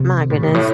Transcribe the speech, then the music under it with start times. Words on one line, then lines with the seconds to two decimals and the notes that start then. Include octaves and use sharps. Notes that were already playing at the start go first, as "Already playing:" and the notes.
My goodness.
Already playing: C3
0.30 A2
0.43 G2
0.54 A2